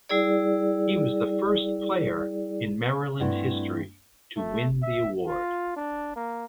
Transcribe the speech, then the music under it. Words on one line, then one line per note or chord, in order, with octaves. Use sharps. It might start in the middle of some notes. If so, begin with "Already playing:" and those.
He was the first player in Maryland history to win the award.
G3 E4 G#4 D5
G2 A3 C4 E4 D5 F#5
A3
E5
F4
D4
A#3